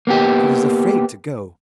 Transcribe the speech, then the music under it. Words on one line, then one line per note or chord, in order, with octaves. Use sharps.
He was afraid to go.
A#3 B3 G4